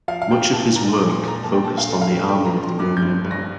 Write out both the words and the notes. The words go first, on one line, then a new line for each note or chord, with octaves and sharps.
Much of his work focused on the Army of the Roman Empire.
F3 F5
F5
F3 G5
A#2 A5
A#2 A#5
C6
D6
A#2
C6
A#2
A#5
A#2 A5
G5
A#2 A5
F5
A3
F5
A3 G5
A3 G5
A#5
F3
C6
G2 D6
G6
G2
G2
A#6